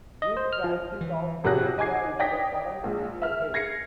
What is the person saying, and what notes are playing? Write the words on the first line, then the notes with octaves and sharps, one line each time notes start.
Duke Francis of Bavaria is the current senior heir.
D#5
C5
F6
F3
E3
F2 C3 F#4 G#4 F#6 A#6
D#5 G#5 D6 G#6 C7
C#5 D5 G5 D#6 A#6 B6
A#1 G#3
E5 F6
G#6 A#6 C7 C#7